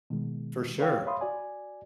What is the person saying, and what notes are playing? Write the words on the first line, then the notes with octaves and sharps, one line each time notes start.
For sure.
B2 D#3 G#3
A#4 B4 C#5 F5 G5
C#5 E5 F5 B5 C6 D#6
F#4 D5 G#5